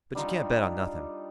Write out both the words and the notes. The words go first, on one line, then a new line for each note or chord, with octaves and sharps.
But you can't bet on nothing.
G3 D4 D#4 F4